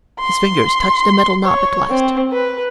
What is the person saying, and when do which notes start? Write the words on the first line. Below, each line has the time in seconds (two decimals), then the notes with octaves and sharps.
His fingers touched the metal knob at last.
0.20 C6
1.44 C#5
1.90 C4
2.32 B4